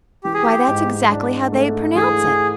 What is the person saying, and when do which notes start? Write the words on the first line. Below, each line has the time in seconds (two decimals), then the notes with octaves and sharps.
"Why, that's exactly how they'd pronounce it!"
0.24 E3 G4
0.34 G#4
0.42 G4
0.67 G#2
1.10 D4
1.52 A3
1.95 E3 G#4